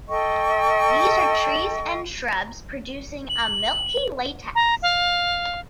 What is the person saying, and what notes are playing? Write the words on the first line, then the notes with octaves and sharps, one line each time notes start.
These are trees and shrubs producing a milky latex.
A4 D#5 G5 C#6
F#7
A#5
F5